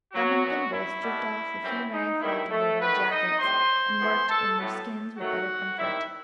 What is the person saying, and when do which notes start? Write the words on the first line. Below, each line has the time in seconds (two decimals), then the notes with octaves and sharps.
Thumb and Thimble stripped off the few rags left of their red jackets, and worked in their skins with better comfort.
0.13 F#3 F#4
0.43 F#2 F#3 B3
0.72 E4
1.02 B2 G3 B3
1.62 F#2 E3 G3 C4
1.92 D#4
2.20 G2 D#3 F#3 A3 E4
2.50 A3 A4
2.81 D#3 A3 B3 C4 B4
3.10 D#4 D#5
3.39 A2 G3 C4 C5 C6
3.99 A2 E3 B3
4.29 A4 A5
4.58 A2 F#3 B3
5.17 D#3 F#3 A3 F#4 F#5
5.77 D#3 G3 C4 E4 E5